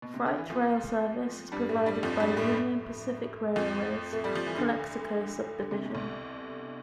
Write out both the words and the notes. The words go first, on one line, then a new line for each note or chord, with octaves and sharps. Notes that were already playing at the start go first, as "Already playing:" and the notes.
Freight rail service is provided by Union Pacific Railroad's Calexico Subdivision.
B2
C3
D3
E3
F2 F3
G2 G3
A2 A3
G2 G3
F2 F3
G2 G3
A2 A3
F2 F3
A3
G3
F3
E3
D2 D3
D3
C3
B2
C2 C3